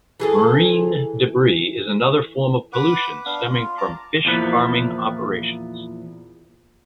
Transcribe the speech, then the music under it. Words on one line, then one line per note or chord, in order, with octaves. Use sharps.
Marine debris is another form of pollution stemming from fish farming operations.
E3 G#4 A4
B4 F#5 D6
B3 D4 F5
F4
A5 A#5 D6
E2 A#2 F3 B4